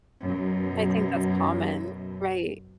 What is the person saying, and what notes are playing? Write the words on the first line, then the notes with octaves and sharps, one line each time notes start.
I think that's common, right.
F#2 B2